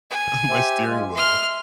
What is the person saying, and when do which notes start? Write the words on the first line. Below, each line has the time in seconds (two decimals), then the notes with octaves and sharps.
on my steering wheel,
0.10 G#5
0.50 G4 C5 E5
0.86 G#3 F4
1.15 E5 C6 F6